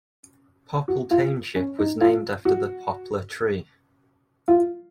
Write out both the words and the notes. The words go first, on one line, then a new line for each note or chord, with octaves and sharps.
Popple Township was named after the poplar tree.
F#4
F4
C#4
D#4
F4
F#4
F4